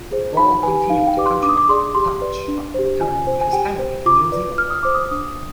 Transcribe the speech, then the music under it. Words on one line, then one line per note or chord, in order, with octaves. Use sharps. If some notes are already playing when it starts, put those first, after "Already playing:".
Ball continued to contribute to "Punch" after returning with his family to New Zealand.
Already playing: F4
G#4 C5
D#4 B5
G4 B4 G#5
D#4 F5
G5
G4 B4 D5 D6
C6
D4 D6
D#6
D6
G#4 D5 C6
G4 C6
B4 D5
D4
G4 C5
F4 G#5
C5
G#5
G4 G5
C5
F4 D6
B4 D5
F4 F6
D#6
C5 D6
D#6
D4 D#6